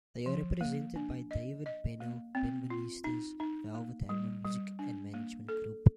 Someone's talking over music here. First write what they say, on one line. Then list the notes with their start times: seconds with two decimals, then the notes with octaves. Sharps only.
They are represented by David "Beno" Benveniste's Velvet Hammer Music and Management Group.
0.26 F3
0.61 A#3
0.96 D4
1.31 D#5
1.66 D#5
2.00 A#3
2.35 C4
2.70 F4
3.04 D#4
3.40 D#4
3.75 A#3
4.09 G3
4.45 G3
4.79 D4
5.14 A#3
5.49 A4